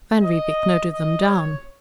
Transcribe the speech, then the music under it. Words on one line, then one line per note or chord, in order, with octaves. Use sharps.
Van Riebeek noted them down.
D#5
D#5
C#5